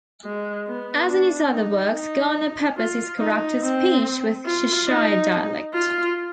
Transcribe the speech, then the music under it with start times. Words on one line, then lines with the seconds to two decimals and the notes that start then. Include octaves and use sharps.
As in his other works, Garner peppers his characters' speech with Cheshire dialect.
0.25 G#3
0.67 B3
1.08 D4
1.51 D#4
1.94 D#4
2.77 F4
3.19 D#4
3.62 C4
4.46 F4
4.88 D#4
5.73 F4